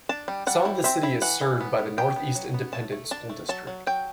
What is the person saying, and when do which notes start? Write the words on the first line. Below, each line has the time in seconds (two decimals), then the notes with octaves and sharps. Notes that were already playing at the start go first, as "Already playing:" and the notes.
Some of the city is served by the North East Independent School District.
0.09 D4 A5
0.28 G3
0.47 G3 F#5
0.65 E4
0.84 C4 E5
1.03 E4
1.22 E3 F#5
1.41 E3
1.61 B3
1.78 B3
1.98 B3 G5
2.16 B3
2.36 F#3
2.54 B3
2.73 A3 A5
2.92 A3
3.11 D4 A5
3.29 A3
3.49 F#3 A5
3.67 F#3
3.87 F#3 G5